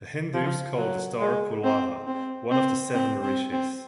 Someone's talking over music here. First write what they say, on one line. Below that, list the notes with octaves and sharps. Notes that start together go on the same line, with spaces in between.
The Hindus called the star "Pulaha", one of the Seven Rishis.
F3
F#3
G#3
C4
C4
C4
C4
C4
C4